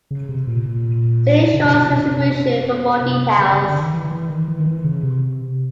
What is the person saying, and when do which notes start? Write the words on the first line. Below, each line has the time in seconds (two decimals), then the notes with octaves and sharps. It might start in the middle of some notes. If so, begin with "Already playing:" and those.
See Schwartz distribution for more details.
0.11 C#3
0.29 C3
0.47 A#2
0.66 A#2
1.54 C#3
1.64 C3
1.75 B2
1.93 B2
2.11 C3
3.39 C#3
3.52 C#3
3.66 D3
3.80 D#3
3.94 E3
4.12 E3
4.30 D#3
4.48 E3
4.60 D#3
4.66 E3
4.84 C#3
5.03 C3